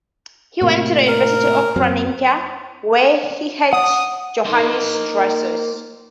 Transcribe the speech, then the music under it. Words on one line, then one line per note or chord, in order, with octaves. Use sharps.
He went to the University of Franeker, where he heard Johannes Drusius.
A2 C3 A#3
A#4
F#2 F#3 C4
F#5 D#6
A#3 D#4 A#4 C5